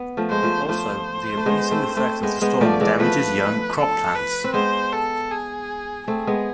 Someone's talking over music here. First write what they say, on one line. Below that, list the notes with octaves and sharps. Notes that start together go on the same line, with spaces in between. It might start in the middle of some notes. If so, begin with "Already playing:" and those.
Also the abrasive effect of the storm damages young crop plants.
Already playing: B3
F3 A3
G#3 C5
F3 A3
F3 A3 C5
A3
G#3 B3
A3 C4
A3 C4
G#3 B3 C5
G#3 B3
F3 A3 D5
E3 G#3
F3 A3 B4
A4
B4
C4
G#3 B3 C5
A4
G#4
A3 C4 G#4
G#3 B3